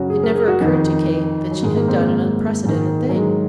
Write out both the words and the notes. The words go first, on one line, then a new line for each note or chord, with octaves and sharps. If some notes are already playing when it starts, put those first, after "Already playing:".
It never occurred to Kate that she had done an unprecedented thing.
Already playing: F#2 C#3 C#4 F#4
G#4
A#4
G#4
F#4
F2 D#3 D#4
F#3
G#2 D#3 G#3
A#3
C4
G#3
A#3
G#2 D#3
F#3
G#3